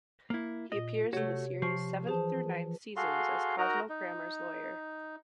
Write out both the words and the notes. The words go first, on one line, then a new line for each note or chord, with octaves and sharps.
He appears in the series' seventh through ninth seasons as Cosmo Kramer's lawyer.
A#3 E4
A#2 D#5
C3 A3 F#4 C#5
F3 C#6 C7
E3 G#4 C5 A5
F#4 G#4 A4 F5 C6
D#4 F#4 A#4 D#5 A#5
D#4